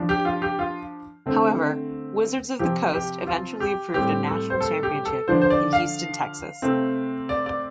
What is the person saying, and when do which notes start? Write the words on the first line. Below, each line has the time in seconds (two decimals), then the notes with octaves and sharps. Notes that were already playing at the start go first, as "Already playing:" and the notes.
However, Wizards of the Coast eventually approved a national championship in Houston, Texas.
Already playing: F3 D4
0.09 G4
0.25 F4
0.42 G4
0.59 F4
1.26 D3 A3 C4
2.59 C3 F3 C4 G4
2.94 G4
3.27 F4
3.60 G4
3.94 A2 G3 C4 G4
4.28 A4
4.50 C5
4.60 A4
4.83 G4
5.05 A4
5.28 D3 F3 D4 C5
5.42 C5
5.50 D5
5.73 F5
6.62 C3 A3 C4
7.29 D5
7.46 D5